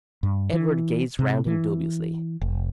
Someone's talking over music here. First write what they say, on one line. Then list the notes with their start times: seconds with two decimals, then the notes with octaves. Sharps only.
Edward gazed around him dubiously.
0.23 G2
0.53 E3
1.19 C3
1.46 E3
2.41 F1